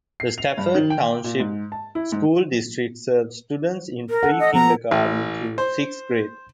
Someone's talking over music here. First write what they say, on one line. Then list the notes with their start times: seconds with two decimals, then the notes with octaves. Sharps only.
The Stafford Township School District serves students in pre-kindergarten through sixth grade.
0.20 C7
0.38 F7
0.58 G2
0.75 D#3
0.90 G5
1.24 A#2
1.40 G#2
1.72 A5
1.95 E4
2.12 G#2
4.10 A#4
4.23 A4 F#5
4.39 D#5
4.54 F3 B3 A#5
4.91 A1
5.58 C5